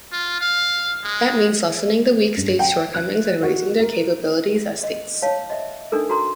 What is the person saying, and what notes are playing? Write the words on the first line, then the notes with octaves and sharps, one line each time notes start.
That means lessening the weak states’ shortcomings and raising their capabilities as states.
F4
F5
G#3
G2
G5
F#6
F#4
A#4
D#5
C#5 F5 A5
D#5 E5
D4 D#4 A4 A#4
F#4 A4 A#5 C6